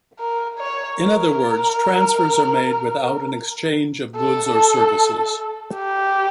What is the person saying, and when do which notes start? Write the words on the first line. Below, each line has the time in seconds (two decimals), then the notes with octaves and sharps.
In other words, transfers are made without an exchange of goods or services.
0.20 A#4
0.59 C#5
0.99 A#4
4.16 A4
5.75 G4